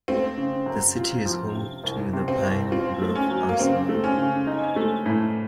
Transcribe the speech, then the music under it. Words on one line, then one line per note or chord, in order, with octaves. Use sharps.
The city is home to the Pine Bluff Arsenal.
A3 C4
C#3
F#2
F4
F3
C3
C2
C3
C4
C2
C4 F4
A3
C#4
F#3
A#3
C#3 C4
A3
C#4
C#3
D#4
A3
A2